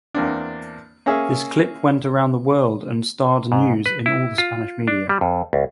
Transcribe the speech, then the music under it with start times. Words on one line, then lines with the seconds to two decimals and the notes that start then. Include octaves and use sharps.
This clip went around the world and starred news in all the Spanish media.
0.14 E2 A#3 C4 D4
1.06 A#3 C#4 G#4 E5
3.52 G#2
3.86 B4
4.06 E4
4.38 F4
4.88 D4
5.09 G3
5.21 F2
5.53 C#2